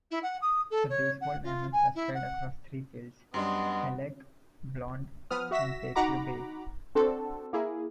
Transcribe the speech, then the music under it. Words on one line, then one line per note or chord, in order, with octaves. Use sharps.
The baseball diamonds are spread across three fields: Halleck, Blonde, and Papio Bay.
E4
F#5
D#6
A4
C#5
F#5
F4
G#5
E4
F#5
F#2 G3 B3 D4 D#5 C6
F3 B3 B4 D#6 F6
F#4 E5 A#6 B6 E7
D#4 F#4 F#5 A#5 B5 D6
C4 D4 F#4 A4
A#3 E4 G#4